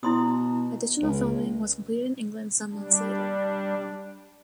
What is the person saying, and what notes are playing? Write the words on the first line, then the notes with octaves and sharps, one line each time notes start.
Additional filming was completed in England some months later.
B2 E4 C6 D#6
C#2
G3 D4